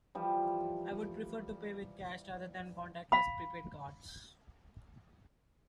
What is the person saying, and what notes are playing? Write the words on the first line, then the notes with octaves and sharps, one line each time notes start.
I would prefer to pay with cash rather than contactless prepaid cards.
E3 F3 G3
F5 B5